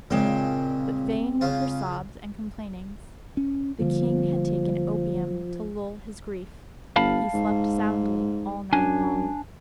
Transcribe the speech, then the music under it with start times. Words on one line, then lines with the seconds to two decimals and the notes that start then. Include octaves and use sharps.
But vain were her sobs and complainings; the king had taken opium to lull his grief; he slept soundly all night long.
0.10 A#2 C#3 G#3 C4 D5
1.41 C#3 F4
3.37 C#4
3.80 D3 F3 G3 A#3
6.96 G1 F5 A5 B5
7.34 G#2
8.73 F#2 D4 G#5